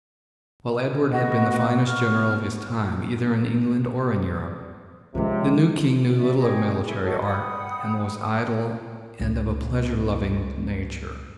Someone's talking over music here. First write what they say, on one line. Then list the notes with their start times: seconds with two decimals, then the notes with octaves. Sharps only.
While Edward had been the finest general of his time either in England or in Europe, the new king knew little of military art and was idle and of a pleasure loving nature.
1.10 B3 F#4 D#5
1.86 C#6 F6
5.15 C#2 C3 F3 G#3
6.16 D5 E5
6.39 G#4 D#5 G5 C#6
6.82 E4 G#4
7.04 F#4 A4 C#5 D#5
7.24 F#5 G5 B5 D#6
9.20 C#2 D3